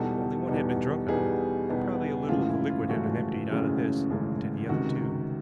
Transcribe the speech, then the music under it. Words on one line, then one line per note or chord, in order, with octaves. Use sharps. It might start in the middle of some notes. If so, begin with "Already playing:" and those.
Only one had been drunk out of, and probably a little of the liquid had been emptied out of this into the other two.
Already playing: E2 B2 G3 B3 D#4 A4
E2 B2 G3 B3 D#4
E2 B2 G3 B3 D#4 G#4
E2 B2 G3 B3 D#4
G#1 F#2 C#3 E3 A3 F4
E4
F4
G#1 F#2 C#3 E3 A3 F#4
G#1 F#2 C#3 E3 A3
G#1 F#2 C#3 E3 A3
C#2 C3 D#3 F#4